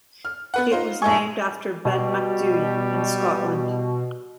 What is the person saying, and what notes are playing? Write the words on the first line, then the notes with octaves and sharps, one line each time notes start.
It was named after Ben Macdhui in Scotland.
F6
B3 B4 F#5
D#4 F4 C5
A#1 A3 D#4 G#4 C#6
B2 G3